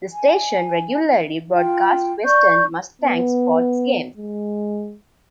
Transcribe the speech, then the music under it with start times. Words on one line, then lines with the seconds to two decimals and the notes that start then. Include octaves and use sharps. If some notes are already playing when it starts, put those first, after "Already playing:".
The station regularly broadcasts Western Mustangs sports games.
0.11 G#5
1.53 F4 G5
2.25 D5 C#6 G6
3.02 B3
4.17 G#3